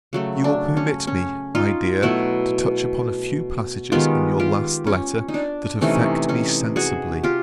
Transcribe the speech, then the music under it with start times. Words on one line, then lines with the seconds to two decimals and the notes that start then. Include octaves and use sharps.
You will permit me, my dear, to touch upon a few passages in your last letter, that affect me sensibly.
0.13 C#3 F#3 A3
0.44 D4
0.77 C#4
1.07 C#4
1.55 D#4 F4
2.03 B2 F#3 A3 E4 F#4
3.92 D#3 G#3 B3 F4 G4
4.39 F4 G4
4.87 C#4
5.28 D#4
5.34 D4
5.81 C3 E3 A3 C#4 D#4
6.29 C#4 D#4
6.76 F#4 G#4
7.23 F4 G4